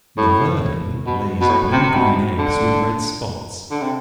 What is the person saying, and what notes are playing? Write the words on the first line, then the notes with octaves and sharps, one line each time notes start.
The verdin lays blue-green eggs with red spots.
A2
B2
B2
A2
C3
C3
B2
D3
D3
C3